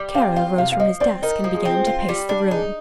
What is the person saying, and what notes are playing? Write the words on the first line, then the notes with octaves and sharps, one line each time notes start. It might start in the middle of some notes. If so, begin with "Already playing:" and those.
Kara rose from his desk and began to pace the room.
Already playing: G3
C4 F5
F4 F5
C3 F5
F5
F3 D#5
C4 D5
D#4 A#4
F3
G#4
C4
F4
G3
D4
D#4 G#4